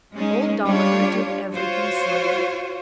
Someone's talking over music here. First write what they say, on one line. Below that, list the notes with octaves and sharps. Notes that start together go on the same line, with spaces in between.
Old Dolliver did everything slowly.
G#3 C#4 D#4
G3 D4 F4 G4 C#5
F4 F#4 C5 C#5